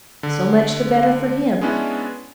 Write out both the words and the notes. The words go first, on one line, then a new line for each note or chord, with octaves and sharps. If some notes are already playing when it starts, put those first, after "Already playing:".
So much the better for him.
D3
G#3 B3 C#4 D4 E4